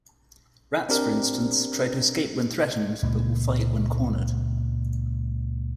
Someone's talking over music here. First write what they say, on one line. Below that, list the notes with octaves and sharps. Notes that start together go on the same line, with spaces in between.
Rats, for instance, try to escape when threatened, but will fight when cornered.
C4 D4 G4 A#4
C#2 A#2 G#3